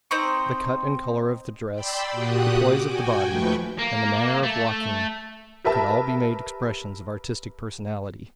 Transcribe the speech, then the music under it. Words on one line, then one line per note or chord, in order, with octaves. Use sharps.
The cut and color of the dress, the poise of the body, and the manner of walking could all be made expressions of artistic personality.
C4 D#4 C5 C#6
D5 G5 B5 C6 E6
A#2 F#4 G4 D#6 F#6
D6
F#4 G5 G#5
D#2 F3 A3 B4 G5 C#6
A#3
A3
G4 A#4 B4 E5 A5